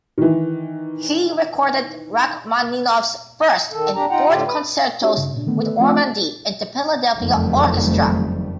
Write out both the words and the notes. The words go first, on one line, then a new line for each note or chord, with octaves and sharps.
He recorded Rachmaninoff's First and Fourth Concertos with Ormandy and the Philadelphia Orchestra.
D#3 E3
D#3 A4
F2 D4 G4 A#5
D#4 F4 F#5 G5 A#5
A2 D3 F4 G4
B4
C#4 D#4 F#4 G4 C#5
G2 C#3
A#2 D4
D3 D#3 A3 B3
A4 B4 E5
F3 A3 C4 F4 D5
F#1 F2 D#3 G3 A3